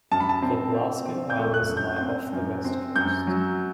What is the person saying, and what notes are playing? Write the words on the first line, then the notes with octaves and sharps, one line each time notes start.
The Blasket Islands lie off the west coast.
F#2 A5
B5
A5
C4
C4
C4
G6
A3
F#6
F#2
G6
C4 G6
F#2
C4
F#2 G6
F#3